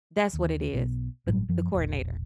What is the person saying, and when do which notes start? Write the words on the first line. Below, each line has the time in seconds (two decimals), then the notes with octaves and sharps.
That’s what it is, the the coordinator.
0.33 D#2
0.73 B1 B2
1.26 G1 A2 F#3 G3
1.48 F#2 F3
1.74 E1 A#1